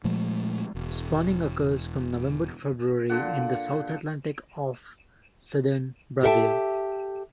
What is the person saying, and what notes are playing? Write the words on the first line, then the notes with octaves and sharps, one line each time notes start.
Spawning occurs from November to February in the South Atlantic off southern Brazil.
A#2 F3 G#3 A3
E1
A#2 D3 F#5
G4 A4 E5 F#5 G5 A5